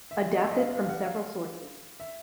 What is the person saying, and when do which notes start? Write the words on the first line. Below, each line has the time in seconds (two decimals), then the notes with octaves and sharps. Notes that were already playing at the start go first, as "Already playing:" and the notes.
Adapted from several sources.
0.11 E5
0.34 D#5
0.43 E5
0.51 D#5
0.59 F5
0.73 F5
0.84 F5
0.89 F#5
1.06 F5
2.00 E5